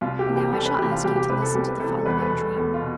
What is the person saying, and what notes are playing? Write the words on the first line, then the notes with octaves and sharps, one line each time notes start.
And now I shall ask you to listen to the following dream.
C2 F4
G4
C3 E3
G4
C2 A4
B4
C3 E3 G4
F4
C2 G4
G4
C3 E3 B4
A4
C2 G4
B4
C3 E3 A4
A4
E2 B4
A4
B4
B2
A4
E2 A4
F4
B2